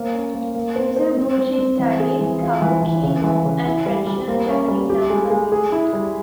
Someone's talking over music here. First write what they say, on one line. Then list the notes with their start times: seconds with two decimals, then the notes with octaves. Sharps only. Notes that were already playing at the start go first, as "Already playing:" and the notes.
Mizoguchi studied "kabuki", "noh", and traditional Japanese dance and music.
Already playing: A#3 C5
0.14 C#4
0.34 A#3
0.55 A#3
0.76 C5
0.96 C5
1.17 C4
1.38 C4
1.58 C4
1.79 E3
2.00 G#4
2.21 E3
2.41 F4
2.62 E3
2.83 E3
3.03 C#3
3.24 E3
3.45 C#3
3.65 E4
3.86 G3
4.07 G3
4.28 A#3
4.48 C#4
4.68 G3
4.90 G4
5.10 G#3
5.30 G#3
5.52 G#4
5.72 E4
5.93 G3